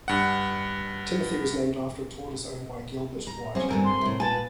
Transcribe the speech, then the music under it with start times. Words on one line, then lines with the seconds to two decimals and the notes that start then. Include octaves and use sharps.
Timothy was named after a tortoise owned by Gilbert White.
0.08 G2 F#5
3.27 A#5
3.55 F#2 C4 C#4 G#4
3.69 G2 D3 C4 A#4 G#5
3.84 C6
4.01 A2 C3
4.20 A#2 B4 G#5 A5